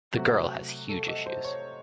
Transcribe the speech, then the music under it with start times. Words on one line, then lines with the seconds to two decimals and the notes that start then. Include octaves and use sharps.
The girl has huge issues.
0.16 C3 F#3 A3 F#4
0.89 A4
1.08 D#5
1.26 C5
1.45 C#5